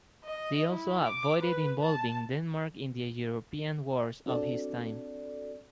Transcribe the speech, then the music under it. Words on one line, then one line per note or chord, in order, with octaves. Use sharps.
They also avoided involving Denmark in the European wars of his time.
D#5
E4
D6
B4
A5
C4 D4 F#4 A4 D5